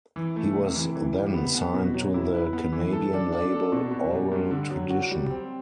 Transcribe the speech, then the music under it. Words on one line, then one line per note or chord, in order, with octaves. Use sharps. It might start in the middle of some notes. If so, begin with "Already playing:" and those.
He was then signed to the Canadian label Aural Tradition.
E3
A3
C3
E3
E3
G3
B3
B3
B2
F#3
E4
B4
B3
E3
A4
D4
D4
A4
B2
B2
G3
G2
D3
F#3
F#4
G3
C4